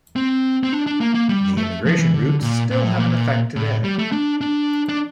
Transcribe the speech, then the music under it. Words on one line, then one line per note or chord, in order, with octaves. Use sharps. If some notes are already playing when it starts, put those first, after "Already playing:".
The immigration routes still have an effect today.
C4
C4
D4
D4
A#3
A#3
G3
A3
F3
E3
D3
A#2
A#2
A2
A#2
A2
G3
A3
D4
D4
D4